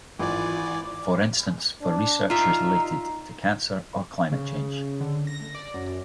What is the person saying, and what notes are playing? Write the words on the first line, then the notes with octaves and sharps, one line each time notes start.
For instance for research related to cancer, or climate change.
G#1 E3 F4 D5 G#5 D6
D4
D#4 F4 E5 A#5
C#3
D3
A#6
D5
F#2